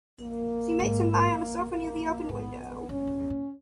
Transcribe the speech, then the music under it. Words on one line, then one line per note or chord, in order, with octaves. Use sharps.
She makes him lie on a sofa near the open window.
A#3
G#2
A#3
A#3
G#2 B3
B3
G2 C#4
G2
E2
A#2